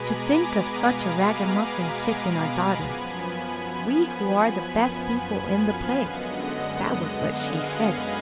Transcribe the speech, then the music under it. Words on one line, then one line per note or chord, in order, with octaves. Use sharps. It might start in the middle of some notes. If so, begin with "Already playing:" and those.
"To think of such a ragamuffin kissing our daughter--we who are the best people in the place!" That was what she said.
Already playing: B2 G#3 B3 G#5 A#5 B5 D6
G#5 B5
F5 G#5
F#2 F3 B3 G#5 B5
G#5 B5
G#5 B5
F5 G#5
F#2 D3 G#3 B3 D#5 F#5
D#5 F#5
D#5 F#5
F5 G#5
G#5 B5